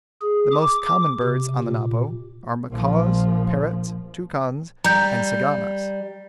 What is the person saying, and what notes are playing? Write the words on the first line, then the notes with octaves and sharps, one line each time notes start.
The most common birds on the Napo are macaws, parrots, toucans, and ciganas.
G#4
D6
C3
A#2
A#1 F3
G3 A#5 G6